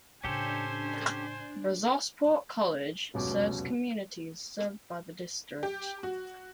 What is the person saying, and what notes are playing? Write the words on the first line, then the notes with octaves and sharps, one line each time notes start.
Brazosport College serves communities served by the district.
A2 C#3 C#4 D4 G4 A4 C5 G#5
F1 C#2 F#2 B2 D6
G4
F#4